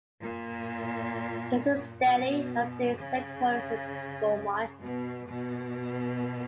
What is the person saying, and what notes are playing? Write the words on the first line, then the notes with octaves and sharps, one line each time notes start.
Jason's Deli has its headquarters in Beaumont.
A#2
B2
C#3
B2
B2